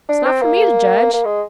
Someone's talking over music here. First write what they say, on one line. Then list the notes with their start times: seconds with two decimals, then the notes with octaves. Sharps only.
It's not for me to judge.
0.09 D4
0.25 C4
0.42 A#3
1.14 A#3
1.25 G#3